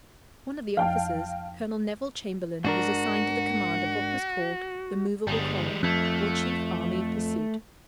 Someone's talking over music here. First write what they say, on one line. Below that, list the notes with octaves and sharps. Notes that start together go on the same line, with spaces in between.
One of the officers, Colonel Neville Chamberlain, was assigned to the command of what was called the "Movable Column," or chief army of pursuit.
F2 F3 F5 G5 A5
G#2 D4 F#4 A#4
G1 G3 G#3
F2 A3